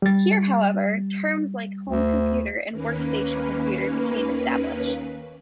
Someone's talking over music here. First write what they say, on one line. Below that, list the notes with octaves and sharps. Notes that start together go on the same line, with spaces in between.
Here however, terms like home computer and workstation computer became established.
G3 A6
D2
D#2 A#3 C#4 B4